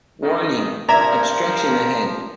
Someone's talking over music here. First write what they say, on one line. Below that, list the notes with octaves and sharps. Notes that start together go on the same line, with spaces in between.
Warning! Obstruction ahead.
G#1 F2 D#3
G2 F3 A#4 D5 E5 A#5 G#6